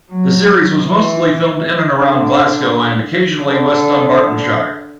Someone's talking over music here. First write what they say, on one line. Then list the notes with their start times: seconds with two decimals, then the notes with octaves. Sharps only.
The series was mostly filmed in and around Glasgow and occasionally West Dunbartonshire.
0.10 F#3
0.83 E3
1.93 D3
3.39 D3